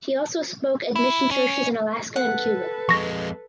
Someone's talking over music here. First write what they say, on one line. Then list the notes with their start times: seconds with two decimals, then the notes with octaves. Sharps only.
He also spoke at mission churches in Alaska and Cuba.
0.96 E4
1.31 C#4
2.16 A4 B4 F#5
2.89 F2 G#3 C#6 A#6